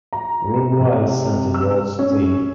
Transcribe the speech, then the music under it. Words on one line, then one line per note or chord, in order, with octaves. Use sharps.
Uruguay sent a youth team.
A#5
C3
E6
C#4